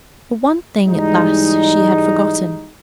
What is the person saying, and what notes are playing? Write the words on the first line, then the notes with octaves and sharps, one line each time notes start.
But one thing--at last--she had forgotten.
G#2 E3 G3 G#3 D#4